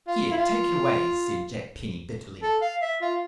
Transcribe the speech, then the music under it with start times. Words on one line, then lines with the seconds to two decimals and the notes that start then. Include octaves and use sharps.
"Here, take it away!" said Jack Penny bitterly.
0.07 F4
0.31 E4
0.37 F4
2.43 A4
2.62 F5
2.82 E5
3.01 F4